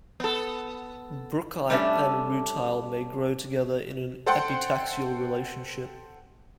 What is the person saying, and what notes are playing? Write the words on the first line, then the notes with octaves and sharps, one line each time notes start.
Brookite and rutile may grow together in an epitaxial relationship.
B3 A4
G3 A3 C#4 D4 A4 E5
A4 C5 F#5 G5 C6